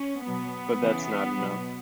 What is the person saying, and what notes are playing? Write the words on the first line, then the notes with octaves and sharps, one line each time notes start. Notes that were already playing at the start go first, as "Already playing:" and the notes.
But that's not enough.
Already playing: C#4
F#3 B3
B2
C#3 E3
B2 F#3